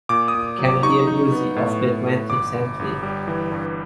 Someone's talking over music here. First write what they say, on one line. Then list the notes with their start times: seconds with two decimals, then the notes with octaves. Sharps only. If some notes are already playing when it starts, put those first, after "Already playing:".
Canadian Music of the Twentieth Century.
0.09 A#2 D6
0.28 D#6
0.35 A#2
0.59 F#3
0.65 D6
0.83 D#4 C#6
1.07 D#4
1.32 B3
1.56 A2
1.81 A2
2.06 A2
2.30 G1 D6
2.54 G1
2.79 G1
3.03 G3
3.28 E3
3.52 G2